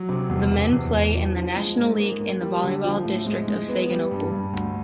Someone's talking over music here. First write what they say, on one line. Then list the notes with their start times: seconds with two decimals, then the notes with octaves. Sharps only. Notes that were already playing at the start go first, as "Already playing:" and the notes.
The men play in the national league in the volleyball district of Siegen-Olpe.
Already playing: F#3
0.09 C3
0.29 E2
0.51 C3
0.73 E2
0.93 E2
1.15 F3
1.36 F3
1.57 G#3
1.78 G#2
2.00 A#3
2.20 A#3
2.41 G3
2.63 D3
2.84 F3
3.05 A2
3.26 G#3
3.48 G#3
3.68 B3
3.90 G3
4.11 G2
4.32 G2
4.54 D2